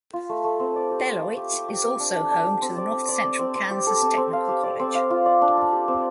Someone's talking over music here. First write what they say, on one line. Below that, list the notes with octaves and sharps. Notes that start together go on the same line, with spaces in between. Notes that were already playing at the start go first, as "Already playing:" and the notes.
Beloit is also home to the North Central Kansas Technical College.
F4
A3
A3
C4
D5
G4
D5
F5
G4
G4
G4
C4
D4
D4
D4
G4
C4
D5
C4
D5
C4
C4
C4
G4
A4
C4
C4
F5
G4
D5
C4
F5
F4
D5
D4
D4
G4
C4